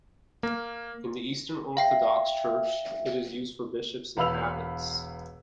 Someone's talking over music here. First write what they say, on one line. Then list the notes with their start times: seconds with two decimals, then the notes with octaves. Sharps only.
In the Eastern Orthodox Church it is used for bishops and abbots.
0.43 A#3
1.77 E5 F5 G5 C7
4.17 E1 B4 F5 B5 E6 F7